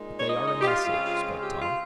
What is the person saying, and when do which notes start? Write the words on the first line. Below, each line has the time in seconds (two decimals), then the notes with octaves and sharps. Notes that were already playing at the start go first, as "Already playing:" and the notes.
"But they are a message," spoke Tom.
Already playing: A#2 G#3 D#4
0.19 C#5
0.29 D#5
0.47 D#5
0.61 G4
0.67 F4
0.85 C#3 G#3 C4 F4
1.42 G4
1.61 F4